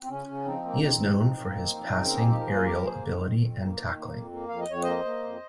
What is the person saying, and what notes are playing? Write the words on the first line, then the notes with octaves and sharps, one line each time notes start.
He is known for his passing, aerial ability and tackling.
C4
C#3 C#4
C#3
F3 C4 D#4
A#3
D#2 C4 D#4
F3
F3
F3
A#3
F3
C#3
A#4
A#3 G#4
F3 D#4 G4
A#4
A#3 F4 G#4
F3 G4 A#4
A#3 G#4 C5
D#3
F2
F2
A#3
D#3
A#3
F2
A#3
F2 F5
D#5
F2 C#5
A#3 C5 D#5
A#3
F2